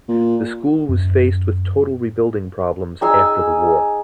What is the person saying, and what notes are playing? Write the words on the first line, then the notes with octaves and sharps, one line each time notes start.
The school was faced with total rebuilding problems after the war.
A#2
F#2
D#4 G#4 G#5 E6